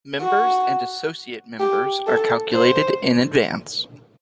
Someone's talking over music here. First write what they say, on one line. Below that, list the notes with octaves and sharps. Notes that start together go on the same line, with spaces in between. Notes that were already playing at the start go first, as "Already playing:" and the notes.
Members and associate members are calculated in advance.
F#4
G4
A4
C5